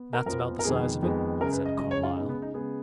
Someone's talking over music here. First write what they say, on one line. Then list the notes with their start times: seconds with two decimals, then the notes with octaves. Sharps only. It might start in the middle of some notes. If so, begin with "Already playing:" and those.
"That's about the size of it," said Carlyle.
Already playing: B3
0.13 A#4
0.26 F2 F3 B3 A#4
0.59 A#4
0.64 F2 D#3 G#3 B3 G#4
1.02 F2 D#3 G#3 B3
1.40 F#2 C#3 G#3 A#4
1.52 B4
1.66 D#5
1.78 F#2 C#3 G#3 D#5
1.91 C#5
2.03 F4
2.16 C#3 G#3 B3 D#4
2.29 B3
2.42 D#4
2.54 C#3 G#3 B3 G#4